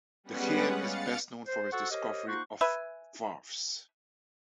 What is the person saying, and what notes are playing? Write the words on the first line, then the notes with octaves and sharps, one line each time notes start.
De Geer is best known for his discovery of varves.
G3 G#3 B3 C#4 B4 F#5
F5 A6 C#7
C5
F#4 A4 C5 F#5 C#6 E6
G4 A#4 C5 C#5 D#5
A#3 D#4 F4 C5 F#5 C#6
B4 E5 G#5